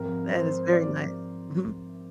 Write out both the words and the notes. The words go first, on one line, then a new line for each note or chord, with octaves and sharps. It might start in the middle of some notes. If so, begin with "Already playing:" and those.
That is very nice mhm.
Already playing: G#2 F3 C4 A#4
C5
D5